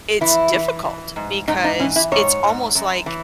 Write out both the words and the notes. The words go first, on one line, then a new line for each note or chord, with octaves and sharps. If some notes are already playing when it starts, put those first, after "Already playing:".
it's difficult because it's almost like
E3 E4
E3
E3
G#2
G#2 D#4
D#4
E3 C#4
E4
G#2 C#5
G#2
F#2
E3